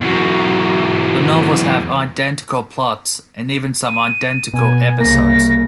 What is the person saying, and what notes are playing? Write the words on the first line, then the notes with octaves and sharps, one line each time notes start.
The novels have identical plots and even some identical episodes.
E2 F#3
D#7
B2 B3 G#5
C2 C#3 A#3 A#6